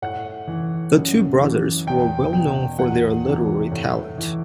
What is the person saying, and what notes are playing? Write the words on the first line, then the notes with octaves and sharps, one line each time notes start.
The two brothers were well known for their literary talent.
A2 F#5
E3
F#2
E3
E2 G5
B2 G5
E2 F#5
C3 E3
A2
E3